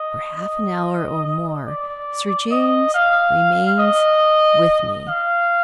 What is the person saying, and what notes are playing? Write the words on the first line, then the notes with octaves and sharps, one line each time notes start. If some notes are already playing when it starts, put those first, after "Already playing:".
For half an hour or more Sir James remains with me.
Already playing: D#5
D#5
D5
D#5
F5
D#5
F5